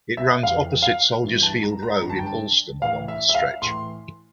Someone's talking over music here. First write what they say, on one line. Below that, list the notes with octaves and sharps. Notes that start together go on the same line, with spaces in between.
It runs opposite Soldiers Field Road in Allston along this stretch.
E5
F2 E3 F5
F5
G2 E3
A5
A#5
A#5
G2 D3 A#5
A5
G5
A5
A2 E3 F5
E5
E5
F5
A2 E3 C6